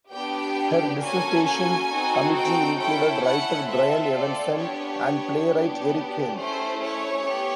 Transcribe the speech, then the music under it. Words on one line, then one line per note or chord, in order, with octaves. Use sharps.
Her dissertation committee included writer Brian Evenson and playwright Erik Ehn.
B3 D4 G4 G5
A#3 C#4 F#4 A4 G#5
G#5
C4 D#4 F#4 A4
G5
C#4 E4 A4 G5
F#5
C4 F4 A4 E5
D5
B3 D4 G4 C#5
B3 D4 G4
A3 C#4 E4 C5
C#5
B3 G4